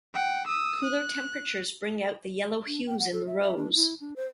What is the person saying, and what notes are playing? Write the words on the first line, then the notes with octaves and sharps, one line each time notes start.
Cooler temperatures bring out the yellow hues in the rose.
F#5 G5
D#6 E6
F#6
D4
G5
F#5
A4
E5
E5
D4
E4
D4
C5